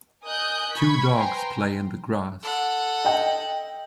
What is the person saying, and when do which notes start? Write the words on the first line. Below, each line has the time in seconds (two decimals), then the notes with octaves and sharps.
Two dogs play in the grass.
0.23 A#4 D#5 G#5 D#6 F#6 G6
0.73 B5 C#6 G#6 B6
1.14 B4 C5 G5 G#5 A#5 C6
2.43 A4 F#5
3.05 D#5 G5